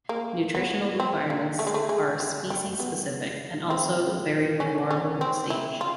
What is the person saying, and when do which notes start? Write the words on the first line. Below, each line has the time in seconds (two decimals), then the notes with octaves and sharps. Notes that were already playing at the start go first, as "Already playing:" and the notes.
Nutritional requirements are species specific and also vary with larval stage.
0.09 A#3
0.55 B3
1.00 C4
1.30 A#3
1.59 A3
1.67 G#3
1.74 A3
1.89 G#3
2.20 G3
2.50 G3
2.80 B3
3.70 C4
4.60 C#4
4.91 C#4
5.21 C4
5.50 E4
5.81 F4